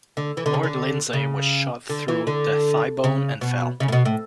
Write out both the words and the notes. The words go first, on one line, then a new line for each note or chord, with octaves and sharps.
Lord Lindsey was shot through the thigh bone, and fell.
D3
E3
D3
C#3
D3
C#3
D3
E3
D3
C#3
B2
C#3
A2
B2
A2